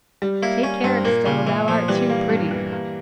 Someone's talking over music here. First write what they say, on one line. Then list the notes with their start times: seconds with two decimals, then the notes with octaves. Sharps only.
Take care, Estelle, thou art too pretty!
0.22 G3
0.42 A#3 E4
0.63 G3 C#4
0.84 G2 C4
1.05 A#2 A#3
1.26 A#2 C#3
1.46 A#2 E3
1.68 A#2 F3
1.88 E3 G3
2.10 A#3
2.30 G2
2.51 E3
2.72 A#3